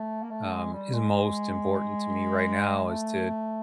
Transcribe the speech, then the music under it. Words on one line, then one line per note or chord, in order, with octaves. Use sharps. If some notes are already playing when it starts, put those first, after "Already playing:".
um, is most important to me right now is to
Already playing: A3
A#3
A3
G#3
G3
G#3
G#3
A3